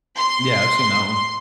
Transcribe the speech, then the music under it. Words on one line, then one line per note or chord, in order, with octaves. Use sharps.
Yeah, I've seen that one.
C6